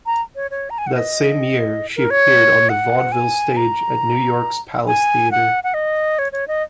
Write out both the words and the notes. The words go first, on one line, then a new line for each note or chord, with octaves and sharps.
That same year, she appeared on the vaudeville stage at New York's Palace Theatre.
A#5
C#5
C#5
A#5
G#5
F#5
D#5
A#4
C#5
F#5
G#5
A#5
G#5
F#5
F#5
D#5
C#5
C#5
D#5